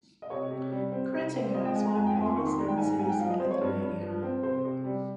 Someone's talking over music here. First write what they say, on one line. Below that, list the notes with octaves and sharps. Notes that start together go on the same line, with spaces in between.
Kretinga is one of the oldest known cities in Lithuania.
D#5
C3 C#5
C3
G3
C4
C3
C4
F3 D#5
G5
G#3 G#5
A#5
F2 G#5
G5
F2 G#5
C6
D#3 C#6
C6
G3 A#5
G5
G#2 G#5
A#5
G#2 G#5
G5
F3 F5
D#5
C4 C5
C#5
G2
G2
F3
C4
C3 C5
C3
G3